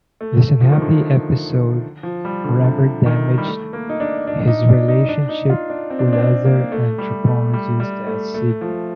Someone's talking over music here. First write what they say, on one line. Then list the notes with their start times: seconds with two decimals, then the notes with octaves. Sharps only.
This unhappy episode forever damaged his relationship with other anthropologists at Sydney.
0.21 A3
0.61 F3
0.72 D#3
0.82 D3
2.03 F3
2.25 G3
2.44 D3
2.59 C3
2.64 D3
3.06 D#3
3.38 G3
3.47 A3
3.73 A#3
3.89 D#4
4.00 D4
4.27 D4
4.41 D4
4.48 D#4
4.69 D4
4.88 D#4
5.09 D4
5.29 D#4
5.50 F4
5.70 D4
5.90 C4
5.99 D4
6.07 C4
6.13 D4
6.18 C4
6.45 A#3
6.72 A3
6.98 G3
7.26 A3
7.53 G3
7.80 G3
8.07 A3
8.34 A3
8.61 F3